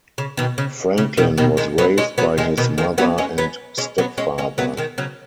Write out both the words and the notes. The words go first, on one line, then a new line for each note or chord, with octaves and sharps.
Franklin was raised by his mother and stepfather.
C#3
B2 D#3
C#3
C#3
B2 D#3
B2 D#3
D#3 G#3
F#3 B3
G#3 C#4
F#3 B3
D#3 G#3
B2 D#3
D#3 G#3
F#3 B3
G#3 C#4
F#3 B3
G#3 C#4
F#3 B3
G#3 C#4
G#3 C#4
F#3 B3
D#3 G#3
C#3 F#3